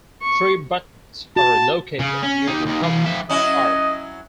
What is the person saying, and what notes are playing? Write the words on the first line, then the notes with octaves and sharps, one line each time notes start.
Three buttons are located near the thumb in an arc.
C#6
F#4 A5
C#3
C#4
D#4 G4
D#2 D#3
E3 F5
F3 E5
F#3 C#4 E4 D#5